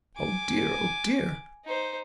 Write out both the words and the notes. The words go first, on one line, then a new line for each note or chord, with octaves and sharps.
Oh, dear, oh, dear!
G#5 D6
D#4 C5